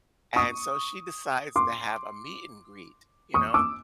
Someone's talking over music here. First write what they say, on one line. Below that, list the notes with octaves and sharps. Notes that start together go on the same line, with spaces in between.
And so she decides to have a meet and greet, you know?
C#6 D#6
C6 D6
C#6 D#6
D6 E6